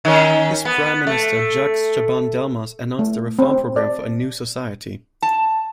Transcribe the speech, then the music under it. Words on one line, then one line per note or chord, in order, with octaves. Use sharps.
His Prime Minister Jacques Chaban-Delmas announced a reform programme for a "New Society".
D#3 C#4
B3
A3
A3
C4
D5
A5